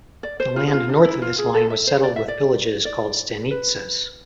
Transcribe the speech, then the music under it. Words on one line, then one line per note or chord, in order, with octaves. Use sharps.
The land north of this line was settled with villages called stanitsas.
D5
C5
F4
G#4
F4
D4
E4
F4
G#4
A4
E5
C5
D5
E5
D5
D5
B4